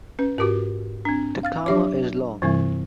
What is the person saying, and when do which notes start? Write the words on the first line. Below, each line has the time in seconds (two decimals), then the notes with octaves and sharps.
The Kama is long.
0.19 C#4 B4
0.38 G#2 F#4 G4 A#4 D6
1.05 C4 D4
1.43 F5 F6 A6
1.66 F#3 D4 G4 C#5 E5 D6
2.42 G2 C3 E3 G3 C4 E4